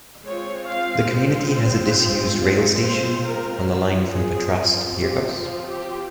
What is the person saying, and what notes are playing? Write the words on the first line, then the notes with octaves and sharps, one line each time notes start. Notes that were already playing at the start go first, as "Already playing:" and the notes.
The community has a disused rail station on the line from Patras to Pyrgos.
G#3 C4 F4 C#5
F5
C5
C5
A#4
F3 C4 F4
G#4
F4
G4
F4
G4